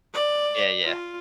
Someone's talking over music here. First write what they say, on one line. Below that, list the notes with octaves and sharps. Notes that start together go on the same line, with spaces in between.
Yeah, yeah.
D5
F4